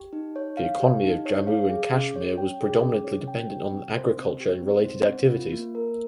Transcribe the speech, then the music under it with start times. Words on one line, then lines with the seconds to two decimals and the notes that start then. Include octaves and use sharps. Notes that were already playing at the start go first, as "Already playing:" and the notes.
The economy of Jammu and Kashmir was predominantly dependent on agriculture and related activities.
Already playing: G4
0.13 D#4
0.36 C#5
0.57 F5
0.80 G4
1.03 D#4
1.25 C#5
1.47 F5
1.69 G#4
1.93 C#4
2.16 C#5
2.38 G5
2.61 G#4
2.82 C#4
3.04 C#5
3.27 G5
3.50 G4
3.72 C4
3.95 C5
4.17 C4
4.40 G4
4.62 C4
4.85 C5
5.07 C4
5.30 F4
5.52 A#3
5.75 A#4